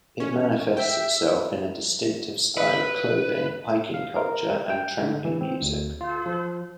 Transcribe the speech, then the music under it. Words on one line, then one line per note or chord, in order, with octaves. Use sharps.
It manifests itself in a distinctive style of clothing, hiking culture and tramping music.
C#4
E5 G5
B4
F5
A#4
G5
D3
E3
C4
D2
F4
F3